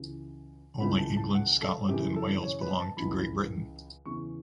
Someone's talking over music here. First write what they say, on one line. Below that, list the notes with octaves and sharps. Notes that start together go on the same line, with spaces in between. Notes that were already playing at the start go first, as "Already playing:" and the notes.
Only England, Scotland and Wales belong to Great Britain.
Already playing: C#2 C#3 E3
C#2 C#3 E3 B5
A5
A5
F#5
A4
F#2 C#3 E3 G4
A4
C#5
B4
A5
C#2 C#3 E3 B5
E2 C#3 E3 C#6